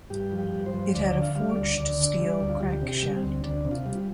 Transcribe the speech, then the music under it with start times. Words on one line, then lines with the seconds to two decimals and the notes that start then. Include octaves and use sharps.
It had a forged steel crankshaft.
0.10 G2 G4
0.32 F3
0.39 G4
0.52 G2
0.66 C5
0.73 F3
0.94 D2 D5
1.14 D3
1.22 F5
1.35 G3 F5
1.50 D5
1.57 D2
1.78 D2 D5
1.98 D3
2.19 G3
2.40 D2
2.49 F4
2.60 D2 G4
2.81 C3
2.89 G4
3.02 G3
3.16 C4
3.23 D2
3.44 D2 D4
3.65 C3
3.71 F4
3.86 G3